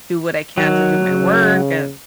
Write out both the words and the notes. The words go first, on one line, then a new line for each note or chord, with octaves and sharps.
do what I can to do my work, and,
D#3 F#3
C#3